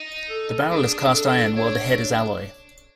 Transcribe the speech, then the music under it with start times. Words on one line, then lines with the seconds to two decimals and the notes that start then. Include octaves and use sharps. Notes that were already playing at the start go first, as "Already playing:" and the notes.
The barrel is cast iron while the head is alloy.
Already playing: D#4
0.30 A4
0.71 D4 G#4
1.00 D4
1.14 A4
1.28 D4
1.56 D4 C#5